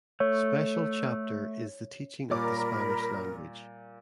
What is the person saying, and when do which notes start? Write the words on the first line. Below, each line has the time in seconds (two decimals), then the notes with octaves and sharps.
Special chapter is the teaching of the Spanish language.
0.20 A3 C#5
2.30 A#2 G3 A#4 C#5 D5 B5 D6